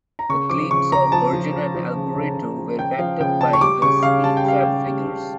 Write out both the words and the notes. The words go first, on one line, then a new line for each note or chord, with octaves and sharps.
The claims of Berger and Alboreto were backed up by the speed trap figures.
A#5
C#3 C#6
F3 D6
C#3 C#6
C#3 A#5
F3 A5
F3
F3
F3
C#3
C#3
C#3
F3
C#3 G5
F3 F5
C#3 G5
C#3 A5
C#6
G3 D6
C#3 C#6
C#3 F5
G3 A5
G5
G3 F5
G3 G5
G3
C#3